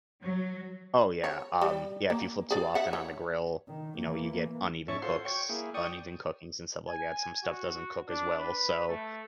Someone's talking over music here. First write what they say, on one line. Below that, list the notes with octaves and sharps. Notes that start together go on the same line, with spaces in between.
Oh, yeah. Um, yeah, if you flip too often on the grill, you know, you get uneven cooks uneven cooking, and stuff like that. Some stuff doesn't cook as well, so
F#3
C#5
G3
A#3
G#4 D5
E5 F#5
C#5
D#3
E3 A#3
G#2 C#4 C#5 E5 A5 C#6
F4 F#4 A4 C5 C#5 C6
C#5 G5 C#6
A#3 E4 G#4
D5 G5 C#6 D#6
G#5
F#4
D4
B4
A3